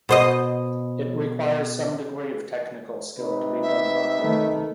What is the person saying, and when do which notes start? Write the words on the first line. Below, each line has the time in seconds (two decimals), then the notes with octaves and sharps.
It requires some degree of technical skill to be done properly.
0.09 B2 C5 D#5
3.19 C3 D#4 B4
3.62 E5
4.18 D#3 A3